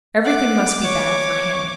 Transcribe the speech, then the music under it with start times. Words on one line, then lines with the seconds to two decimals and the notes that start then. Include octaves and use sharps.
Everything must be bad for him.
0.25 F#5 D6
0.84 C#5